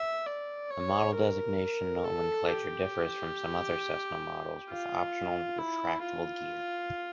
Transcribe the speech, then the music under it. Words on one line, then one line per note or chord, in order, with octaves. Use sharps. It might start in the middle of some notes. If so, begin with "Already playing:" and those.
The model designation nomenclature differs from some other Cessna models with optional retractable gear.
Already playing: E5
D5
C#5
A#4
A4
G4
F4
E4
F4